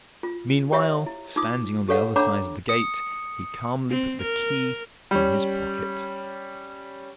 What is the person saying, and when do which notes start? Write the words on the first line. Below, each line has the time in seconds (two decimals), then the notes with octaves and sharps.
Meanwhile, standing on the other side of the gate, he calmly put the key in his pocket.
0.23 F4
0.72 G4 C#5 E5 F5
1.06 E4
1.36 D#4 F4 D6 D#6
1.89 G4 A4 C#5 F5 F#5
2.16 D4 C#5 F#5 A#5 B5 D6
2.69 D#6 C#7
3.89 C4
4.22 A#4
5.11 G3 C#4